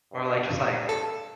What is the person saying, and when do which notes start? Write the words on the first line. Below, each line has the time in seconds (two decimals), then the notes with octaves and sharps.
Or, like, just, like,
0.13 G2
0.89 A4